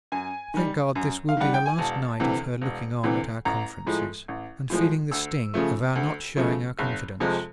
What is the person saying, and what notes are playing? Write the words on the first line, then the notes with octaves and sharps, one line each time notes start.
Thank God, this will be the last night of her looking on at our conferences, and feeling the sting of our not showing our confidence.
F#2 G#5
D#3 G3
F#2
F5
D#3 G3 F#5
G5
G#5
E1 A5
D2 C3 E3
E1
D2 C3 E3
A1 A#5
A2 F3 G#3
A1
A2 F3 G#3
D2 E6
C#3 F3 A3
D2
C#3 F3 A3
F#1
F2 C3 F3 G#3